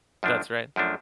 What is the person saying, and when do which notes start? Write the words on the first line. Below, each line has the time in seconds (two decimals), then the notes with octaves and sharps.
That's right.
0.23 F#2 F3 A3 D4
0.76 F#2 F3 A3 D4